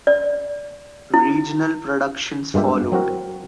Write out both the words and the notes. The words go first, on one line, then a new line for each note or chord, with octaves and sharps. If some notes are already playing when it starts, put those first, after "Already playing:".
Regional productions followed.
D5
E4
G2 G#3 A#3 F4 G4 E5
F#3 C4 F#4 A#4